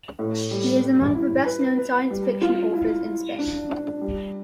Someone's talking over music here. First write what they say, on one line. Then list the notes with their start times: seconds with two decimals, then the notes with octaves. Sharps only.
He is among the best-known science fiction authors in Spain.
0.19 A2
0.51 G3
0.82 G3
1.15 E4
1.46 B4
1.78 B4
2.10 G3
2.41 F4
2.73 E4
3.06 E4
3.39 D4
3.70 D4
4.01 G3